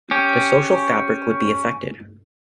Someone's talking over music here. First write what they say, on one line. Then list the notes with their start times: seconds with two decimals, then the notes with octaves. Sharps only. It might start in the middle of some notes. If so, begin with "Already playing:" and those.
The social fabric would be affected.
0.11 C#4 G4